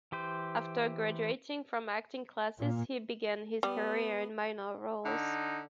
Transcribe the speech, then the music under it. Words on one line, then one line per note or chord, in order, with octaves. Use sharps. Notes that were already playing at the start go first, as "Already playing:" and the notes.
After graduating from acting classes, he began his career in minor roles.
E3 G4 C5
A#2
G3 B3
D3 D#4